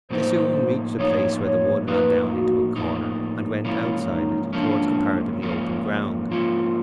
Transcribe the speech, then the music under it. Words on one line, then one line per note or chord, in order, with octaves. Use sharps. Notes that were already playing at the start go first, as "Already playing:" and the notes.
They soon reached a place where the wood ran down into a corner, and went outside it towards comparatively open ground.
A2 F3 A#3 D#4 C5
A2 F3 A#3 D#4 C#5
C#5
A2 F3 A#3 D#4 B4
F#4
A2 F3 A#3 D#4
G#2 F3 A#3 C#4 E4
D#4
G#2 F3 A#3 C#4 D4
G#2 F3 A#3 C#4
G#2 F3 A#3 C#4 F4